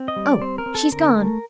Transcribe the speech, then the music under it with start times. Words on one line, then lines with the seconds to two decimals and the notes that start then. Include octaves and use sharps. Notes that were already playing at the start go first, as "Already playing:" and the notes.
"Oh! she's gone!"
Already playing: C4
0.08 D#5
0.16 G3
0.26 D5
0.42 C4 C5
0.58 A#4
0.66 C4
0.75 A4
0.92 D3 A#4
1.16 A3